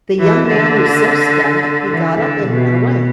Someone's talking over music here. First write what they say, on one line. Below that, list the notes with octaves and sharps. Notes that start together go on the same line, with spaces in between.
The young man was so stunned he got up and ran away.
E3
D3
E3
D3
B2